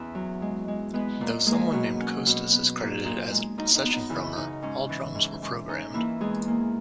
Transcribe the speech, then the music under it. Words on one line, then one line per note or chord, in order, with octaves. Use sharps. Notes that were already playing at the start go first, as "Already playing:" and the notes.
Though someone named "Kostas" is credited as a session drummer, all drums were programmed.
Already playing: E2 C#4 E4 E5
F#3
G#3
G#3
G#3 B3 B4
A#2
G#3 A#3 G#4
B2 F#3 F#4
C#4
B2
B3
A#2
A#2 D#4
G#3
F#2 D#4
D#4
B3
D#4
C#3 E3 E4
C#3 D#4
G#2 C#4
E3
G#2
G#2
C#4 D#4
E3 A#3 E4
E2 G#3 G#4
A#3